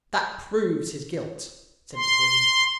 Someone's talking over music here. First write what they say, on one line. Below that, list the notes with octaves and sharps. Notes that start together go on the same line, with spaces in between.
'That PROVES his guilt,' said the Queen.
C6